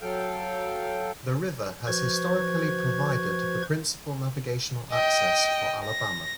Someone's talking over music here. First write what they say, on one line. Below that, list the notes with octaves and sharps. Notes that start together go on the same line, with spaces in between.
The river has historically provided the principal navigational access for Alabama.
F#3 A4 F5 G5
F3 F#4 B4 C5 C#6 G#6
D#5 G5
A#6